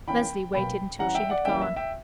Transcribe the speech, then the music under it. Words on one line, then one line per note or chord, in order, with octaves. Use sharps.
Leslie waited until she had gone.
E3 A#3 C#4 G5 B5
B2 F#3 A#3 G5 B5
E3 G3 C#4 F#5 A#5
E5 G5
D5 F#5
E3 G3 A#3 C#4 E5 G5
E5
E5 G5